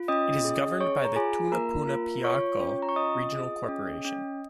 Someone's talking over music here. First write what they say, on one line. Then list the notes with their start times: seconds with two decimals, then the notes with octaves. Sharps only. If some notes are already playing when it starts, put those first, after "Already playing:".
It is governed by the Tunapuna-Piarco Regional Corporation.
Already playing: F4
0.08 C#4 D#5 D#6
0.44 G#4
0.80 G#4 C#5 C#6
1.05 A#5
1.16 F4 G#4 G#5
1.52 A#3 A#4 A#5
1.88 F4
2.24 F4 C#5 C#6
2.60 C#4
2.82 A#5
2.89 C#6
2.96 F4 D#5 D#6
3.33 G#4
3.68 C#4
4.05 C#4